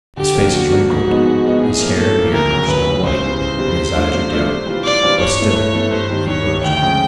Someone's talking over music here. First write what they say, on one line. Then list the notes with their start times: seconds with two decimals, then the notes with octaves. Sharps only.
His face is wrinkled, his hair and beard are snow white, and his eyes are dim; but still he rows on.
0.17 D3 G4
0.35 F3 A#3 D4
0.54 D3 F#4
0.71 F3 A#3 D4
0.89 G#2 F#4
1.07 F3 G#3 B3 D#4
1.25 G#2
1.43 F3 G#3 B3 D#4
1.61 A2 G#4
1.79 F3 A#3
1.97 A2 A4
2.14 F3 A#3
2.33 D2 A#4
2.50 C#3 F#3
2.68 D2 B4
2.86 C#3 F#3
3.04 C#2 C5
3.23 C3 E3 G3
3.40 C#2 C5
3.58 C3 E3 G3
3.76 C3
3.94 F3 A3 D4 F4
4.12 C3
4.30 F3 A3 D4 F4
4.48 C3
4.66 E3 G3 C4 F4
4.84 C3 D5
5.02 E3 G3 C4 F4
5.20 G2 C#5
5.38 E3 A3
5.55 G2
5.74 E3 A3
5.91 G2 C5
6.09 D#3 G3
6.28 G2 C#5
6.46 D#3 G3
6.64 D2 G5
6.81 C#3 F3 G#3 C#4